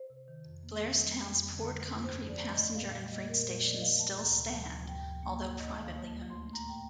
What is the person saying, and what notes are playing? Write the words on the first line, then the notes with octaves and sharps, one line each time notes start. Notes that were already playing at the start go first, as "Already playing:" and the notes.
Blairstown's poured concrete passenger and freight stations still stand, although privately owned.
Already playing: C5
C3
D#3
F2
A#3
D#3
G3
F2
F2
D3
A3
F2
G2 C5
F3
D5
A3
D#5
G2
A#2 F5
G3 F5
A#3 D#5
A#2 A#4
A#2 C5
F3 D5
D#5
A3 F5
A#2 A5
D2 A#5
C3
F3 A5
D2
G2 G5
F3
A#3
G2
D#2 D#5
D#3
F5
A#3
A5
D#2
A3 C6
A3
A#5
A2 G5